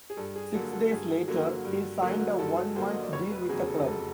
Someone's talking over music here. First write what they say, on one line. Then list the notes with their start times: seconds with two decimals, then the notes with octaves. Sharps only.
Six days later, he signed a one-month deal with the club.
0.10 G#4
0.17 G2 A4
0.36 G#4
0.54 D3 F#3 A#3 A4
0.72 A4
0.91 G2 G#4
1.28 D3 F#3 A#3
1.65 G2
2.02 D3 F#3 A#3
2.39 G2 A4
2.76 D3 F#3 A#3 C5
2.90 D#5
3.01 D5
3.12 F1 C#5
3.32 B4
3.49 E2 C#3 F#3 G#4
3.68 A4
3.86 F1 A4